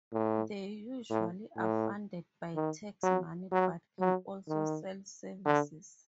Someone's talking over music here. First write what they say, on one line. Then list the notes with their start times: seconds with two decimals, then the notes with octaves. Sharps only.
They usually are funded by tax money but can also sell services.
0.13 A2
1.10 A2
1.58 A2
2.55 D#3
3.03 F#3
3.52 F#3
4.00 F#3
4.49 D#3
5.45 D3